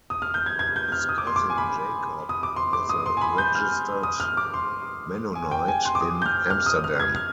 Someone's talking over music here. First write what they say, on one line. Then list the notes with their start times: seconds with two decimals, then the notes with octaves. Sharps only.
His cousin Jacob was a registered Mennonite in Amsterdam.
0.10 D#6
0.22 F6
0.34 G6
0.46 G#6
0.59 G#6
0.76 G6
0.92 F6
1.09 D#6
1.18 D6
1.27 C6
1.36 D6
1.50 G#5
1.58 B5
2.29 D#6
2.43 D6
2.56 C6
2.73 D6
2.89 D#6
3.06 C6
3.17 G#5
3.21 B5
3.38 G6
3.55 F6
4.03 D#6
4.20 F6
4.37 D6
4.54 C6
5.35 G#5
5.51 G5
5.68 G#5
5.85 C6
5.95 D6
6.01 D#6
6.22 G6
6.26 F6
6.50 F6
6.66 D#6
6.84 F6
7.00 G#6
7.16 F6